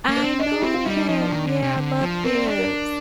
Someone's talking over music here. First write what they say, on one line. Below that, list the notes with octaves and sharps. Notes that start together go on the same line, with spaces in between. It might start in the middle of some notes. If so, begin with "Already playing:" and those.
I know that. Yeah, I love Gibbs.
A#3
C5
C4
D4 D#5
G#4
C4 G4
F4
G3 D#4
D#4
F3 D#4
D4
D#3
D3
C3
D3
F3
C4 A#4
D5
D4
A#4